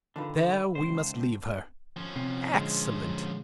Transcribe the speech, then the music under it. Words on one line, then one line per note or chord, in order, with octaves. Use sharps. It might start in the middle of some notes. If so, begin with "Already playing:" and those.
There we must leave her!' Excellent!
D3 D#3 D4 D#4 F4 B4
D#3 E5 A5 B5
C#2 B2 C5
A3 A#3
D3 C4
F3 C#4
C3
A#2 D3 G#3